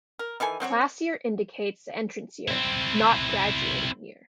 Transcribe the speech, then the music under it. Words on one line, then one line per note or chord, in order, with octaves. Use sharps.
Class year indicates the entrance year, not graduating year.
A#4
D#3 E3 A4 G#5
F#3 C4 F#4 C#5
C4 E4